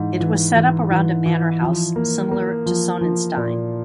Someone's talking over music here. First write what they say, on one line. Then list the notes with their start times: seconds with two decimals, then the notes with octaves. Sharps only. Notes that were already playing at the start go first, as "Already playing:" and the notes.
It was set up around a manor house similar to Sonnenstein.
Already playing: G#2 E3
0.20 E3
0.56 E3
0.91 E3
1.26 E3
1.61 F3
1.96 A#3
2.31 A#3
2.66 F3
3.01 F3
3.36 A#2